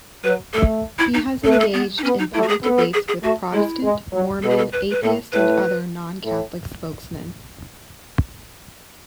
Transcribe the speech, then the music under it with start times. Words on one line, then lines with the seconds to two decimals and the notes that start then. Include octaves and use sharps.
He has engaged in public debates with Protestant, Mormon, atheist, and other non-Catholic spokesmen.
0.23 F#3 B4
0.53 A3 A4
0.99 E4
1.14 D#4
1.44 A3 A4
1.51 B4
1.60 A4
1.73 B3
1.98 D#4
2.04 B3 C#4
2.19 D#4
2.33 A3 E4
2.43 F#4
2.48 G#4
2.63 B3 A4
2.78 A4
2.94 G#4
3.08 G#4
3.23 A3 F#4
3.53 G#3 E4
3.83 G#3
4.13 F#3
4.42 B2 A4
4.50 G#4
4.57 A4
4.73 B4
4.91 B4
5.02 A2 A4
5.32 A2 B4
6.23 A2